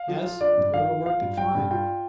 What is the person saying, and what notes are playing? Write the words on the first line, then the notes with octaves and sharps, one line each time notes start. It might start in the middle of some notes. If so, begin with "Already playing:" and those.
"Yes; the girl worked it fine."
Already playing: F5
F3
F4
D4 D5
G2
F3 F5
F4
F4 F5
G2
G3 G5
G2
F4 G5